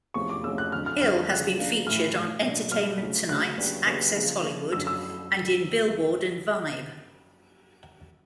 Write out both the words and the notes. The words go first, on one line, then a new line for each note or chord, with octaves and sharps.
Hill has been featured on "Entertainment Tonight", "Access Hollywood", and in "Billboard" and "Vibe".
E2 C3 F3 A3 C#4 C#6
D6
E2 C3 F3 A3 C#4 E6
F#6
F2 D3 F#3 F6
F6
F2 D3 F#3 F6
C#3 F3 A#3 D4 F#6
C#3 F3 A#3 D4
A2 E3 A3 F6
A2 E3 A3
B2 F#3 A#3 D4
B2 F#3 A#3 D4 F6
D2 C#3 F#3 A3
D2 C#3 F#3 A3 F#6
D#2 C#3 F#3 B3 D4
D#2 C#3 F#3 B3 D4
C#3 F3 A#3
C#3 F3 A#3
F#2 D3 F#3 E6
E6